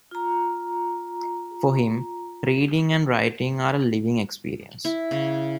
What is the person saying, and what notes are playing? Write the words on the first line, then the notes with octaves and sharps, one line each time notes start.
For him, reading and writing are a living experience.
F4 A#5
E4
C#3